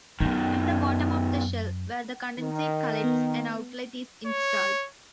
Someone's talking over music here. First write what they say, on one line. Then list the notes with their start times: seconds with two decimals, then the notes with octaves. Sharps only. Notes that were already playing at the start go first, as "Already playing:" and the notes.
At the bottom of the shell, where the condensate collects, an outlet is installed.
0.20 F#2 B2 D#3
2.38 D#3
3.04 B3
4.26 C#5